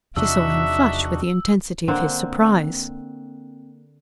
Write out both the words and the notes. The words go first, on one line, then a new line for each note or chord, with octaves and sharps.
She saw him flush with the intensity of his surprise.
E2 C3 F3 D4 D#4 F#4 E5 E6
D3 A#3 C4